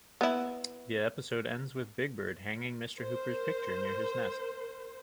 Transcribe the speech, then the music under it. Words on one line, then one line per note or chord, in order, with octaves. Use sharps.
The episode ends with Big Bird hanging Mr. Hooper's picture near his nest.
B3 E4
A#4 C5